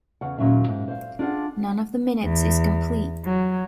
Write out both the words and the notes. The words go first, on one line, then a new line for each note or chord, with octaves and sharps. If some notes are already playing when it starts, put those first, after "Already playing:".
None of the minutes is complete.
E2 C#3 F#5
D#2 A#2 F#3 C#4 E5
G#2
C5 F5
D4 F4 G#4 F#5
E2
F#3